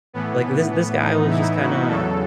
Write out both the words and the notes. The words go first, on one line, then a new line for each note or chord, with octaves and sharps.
like, this this guy was just kinda
A2 E3 B3
B3
B3
D#4
E4
F#4
E2 C#3 F#3 A4